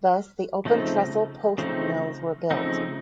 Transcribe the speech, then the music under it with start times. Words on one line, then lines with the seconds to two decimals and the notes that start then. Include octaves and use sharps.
Thus the open trestle post mills were built.
0.65 C#3 F3 A3 C4 D#4
1.58 C#3 F3 A3 C4 D#4
2.51 C#3 F3 A3 C4 D#4